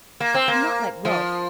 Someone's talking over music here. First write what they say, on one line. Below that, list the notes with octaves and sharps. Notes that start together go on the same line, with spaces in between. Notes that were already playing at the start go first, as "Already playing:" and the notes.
I'm not like Ralph.
A#3
C4
A#3
F3